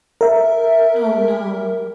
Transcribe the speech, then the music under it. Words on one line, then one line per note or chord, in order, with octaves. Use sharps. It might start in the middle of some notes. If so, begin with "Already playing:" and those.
Oh, no.
A#4 E5